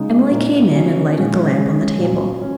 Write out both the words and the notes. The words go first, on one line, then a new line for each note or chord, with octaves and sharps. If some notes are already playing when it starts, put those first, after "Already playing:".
Emily came in and lighted the lamp on the table.
Already playing: C#3 G#3 D#4
A#2 A#3 D#4
C#3 F#3 C#4
A#2 G#3 C#4
C#3 G#3 C#4
A#2 F#3 C#4
C#4